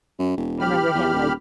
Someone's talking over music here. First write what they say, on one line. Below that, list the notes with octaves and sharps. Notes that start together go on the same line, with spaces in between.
I remember him, like,
F#2
E1
G4 B5 F6
E2
D#1